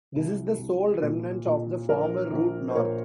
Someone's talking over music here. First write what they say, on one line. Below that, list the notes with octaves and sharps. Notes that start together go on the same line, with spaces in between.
This is the sole remnant of the former route north.
C2
C2
A#2
A#2
A#1 A#4
A#1
C5
A#2 A#4 C#5